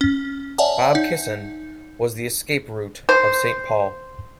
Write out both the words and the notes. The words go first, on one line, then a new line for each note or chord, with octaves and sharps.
Bab Kisan was the escape route of Saint Paul.
C#4
C#5 D5 E5 F#5 G#5 A5
D#4
C5